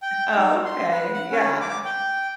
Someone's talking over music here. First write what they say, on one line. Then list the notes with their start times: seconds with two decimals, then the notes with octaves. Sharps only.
Oh, okay. Yeah,
0.02 G5
0.37 D#4
0.65 C6
0.92 B4
1.13 F#5
1.32 C#4
1.61 D6
1.85 G5